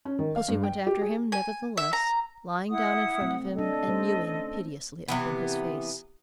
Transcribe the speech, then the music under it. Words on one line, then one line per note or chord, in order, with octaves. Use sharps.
Pussy went after him nevertheless, lying down in front of him, and mewing piteously up in his face.
C#4
D#3
F5
G2
G5
G4
G#4
G#5
E5
A#5
E4 F#5 D#6
A3 C4
A3 D4 A4 D#5
A3 C#4 C5
C3 E3 B3